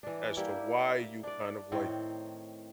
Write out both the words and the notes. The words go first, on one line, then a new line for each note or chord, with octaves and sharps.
as to why you kind of like
E3 D4
G3 A#3 E4 G4
D4 D5
A2 D#3 C4 C#5